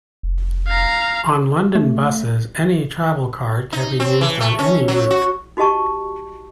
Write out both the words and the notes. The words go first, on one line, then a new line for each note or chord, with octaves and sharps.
On London Buses any Travelcard can be used on any route.
F1
F5 A#5
A3
D#4
C4
E3
A3
C#4
F#3
F#4
D#4 F#4 G4 D#5 A5 C#6